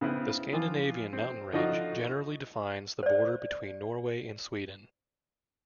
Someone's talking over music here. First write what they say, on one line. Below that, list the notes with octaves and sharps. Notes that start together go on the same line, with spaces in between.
The Scandinavian mountain range generally defines the border between Norway and Sweden.
C#3 B3 C4 E4
E3 F3 F4
C4
D3 F3 D#4 F4 F#4
C5 D5